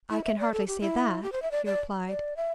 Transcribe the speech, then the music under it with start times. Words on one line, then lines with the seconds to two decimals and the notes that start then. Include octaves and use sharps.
"I can hardly say that," he replied.
0.10 E4
0.24 E5
0.39 D5
0.52 A4
0.67 G4
0.81 E4
1.23 G4
1.32 C5
1.42 E5
1.51 D5
1.66 D5
2.09 D5
2.37 E5